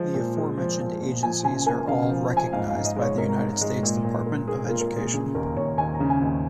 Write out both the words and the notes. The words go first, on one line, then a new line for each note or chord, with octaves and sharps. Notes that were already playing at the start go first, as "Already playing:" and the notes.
The aforementioned agencies are all recognized by the United States Department of Education.
Already playing: F3 G#3
A#2
G#3
F3
F3
A#2
F3 G#5
C#3 G#5
A#3 G#5
C#3 F5
F3
F3
G#5
G#2 F5
F5
G#2
D#5
G#3
C#5
G#2 A#4
G#2
G#3
A#2
A#2
A#3
A#3 G#4
F4
A#3
A#4
A#2
G#4
C#3 G#4
D#2 A#4
D#2 C#5
D#2 G#5
A#5
C#3
G#5
D#2